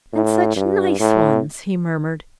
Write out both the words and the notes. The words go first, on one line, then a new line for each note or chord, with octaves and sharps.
"And such nice ones," he murmured.
A2
G2
A2